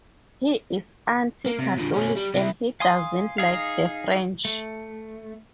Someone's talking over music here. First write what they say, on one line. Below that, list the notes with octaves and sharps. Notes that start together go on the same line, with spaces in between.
He is anti-Catholic, and he doesn't like the French.
A#3
C3
A#2 D3
B2 C#4
G3
C3 E4
F5 G#5 C6 D#6
D#4 G#4 F5
A3